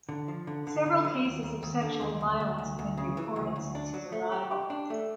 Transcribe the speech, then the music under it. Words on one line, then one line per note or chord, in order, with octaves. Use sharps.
Several cases of sexual violence have been reported since his arrival.
D3
F3
D3
D3
D3
F#3
D#2
D#2
D#2
D3
D#2
D2
D2
D2
D2
C#3
E3
D2
D2
D4
F#3
A3
G4
G4
D4
A3